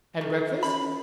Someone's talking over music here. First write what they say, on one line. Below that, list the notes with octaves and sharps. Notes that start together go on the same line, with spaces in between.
"Had breakfast?"
D#3 A4
C#4 B5